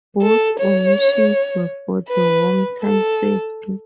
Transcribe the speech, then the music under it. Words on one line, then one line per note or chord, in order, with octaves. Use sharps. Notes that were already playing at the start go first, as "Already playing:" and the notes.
Both omissions were for wartime safety.
A4
C#5
B4
A4